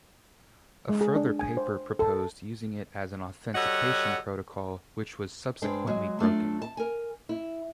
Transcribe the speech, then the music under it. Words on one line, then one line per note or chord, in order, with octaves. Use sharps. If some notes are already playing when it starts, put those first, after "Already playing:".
A further paper proposed using it as an authentication protocol, which was subsequently broken.
G#3
G#4
D4
G#5
C5
A4
G3 F#4 A4 C#5 D#5 F#5
G2 G#3 D4 C5 G5
F#3 G#3 F#4
F#3 A3 D4 F4
A5
A#4 G#5
E4